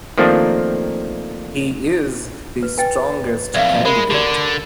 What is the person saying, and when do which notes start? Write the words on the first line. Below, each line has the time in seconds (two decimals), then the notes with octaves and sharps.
He is the strongest candidate.
0.18 D#3 F3 A3 A#3 C4 D4
2.63 B4
2.78 B4 G5 G#5 A6
3.54 B1 F2 D5 E5 F5
3.85 G#3 A#4 B5
4.11 D3 G4 D5